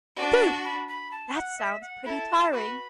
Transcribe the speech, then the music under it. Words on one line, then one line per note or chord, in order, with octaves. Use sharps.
Phew! That sounds pretty tiring.
D4 F#4 D5
B5
B5
A5
F#5
E5
F#5
E4 A4 A5 B5
F#4 B4 B5 D6